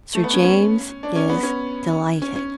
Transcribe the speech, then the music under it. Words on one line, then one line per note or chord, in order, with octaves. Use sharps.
Sir James is delighted.
A3
B3
C#4
C#4
D4
C#4
B3
C#4
C#4
C#4